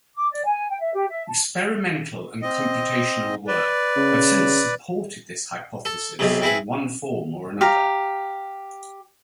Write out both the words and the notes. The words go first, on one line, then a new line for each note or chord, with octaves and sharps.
Experimental and computational work have since supported this hypothesis in one form or another.
D6
D5
G#5
G5
E5
G4
E5
A5
C4 D#5
B4 D5
C#3
A4
B1 G#2 C3
C4 E4 G#4 B4
G4 F5 A#5